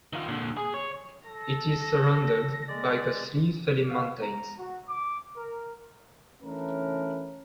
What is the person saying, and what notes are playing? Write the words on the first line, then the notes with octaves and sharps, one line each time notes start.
It is surrounded by the Slieve Felim Mountains.
D#3 F4
A#2 D3
G#4
C#5
A4 A#6
G#3 D5
F5
A#5
F#4
D6
A#4
E3 A3 C#4 D4 A#4 B4